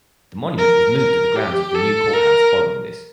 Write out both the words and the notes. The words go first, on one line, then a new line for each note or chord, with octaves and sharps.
The monument was moved to the grounds of the new courthouse following this.
A#4
A#4
G4
A4
A#4